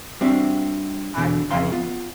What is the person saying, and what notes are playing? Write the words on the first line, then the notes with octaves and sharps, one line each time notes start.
I I
G3 C4 D4 F#4 G4 E5
E2 B2 D3
F2 C#3 F5 C6
B3 F4